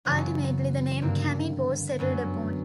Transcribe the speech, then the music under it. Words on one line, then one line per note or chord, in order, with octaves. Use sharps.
Ultimately the name 'Camin' was settled upon.
F#2 C#3 E3 B3 C#4
G2 D3 A#3 C4
F#2 D3 B3 C#4